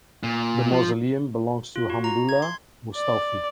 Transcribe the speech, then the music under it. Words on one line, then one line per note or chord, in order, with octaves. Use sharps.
The mausoleum belongs to Hamdallah Mustawfi.
A#2
F3
F4
F#4
A#5
G#6
C6
D5